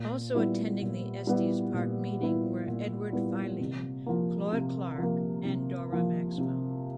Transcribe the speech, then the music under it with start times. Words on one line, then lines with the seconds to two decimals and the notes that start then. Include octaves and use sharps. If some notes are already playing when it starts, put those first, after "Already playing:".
Also attending the Estes Park meeting were Edward Filene, Claude Clark, and Dora Maxwell.
Already playing: A#2
0.35 G3 B3 E4
0.82 A#2
1.27 G3 B3 E4
1.74 A#2
2.21 G3 B3 E4
2.68 A#2
3.13 G3 B3 E4
3.60 C3
4.06 F3 A#3
4.53 C3
4.98 F3 A#3
5.45 C3
5.92 F3 A#3
6.38 C3